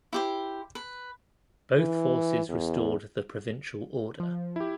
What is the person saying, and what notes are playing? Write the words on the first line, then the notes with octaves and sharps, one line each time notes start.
Both forces restored the provincial order.
E4 G4 C5
B4
E3
E2
F3
E4 G4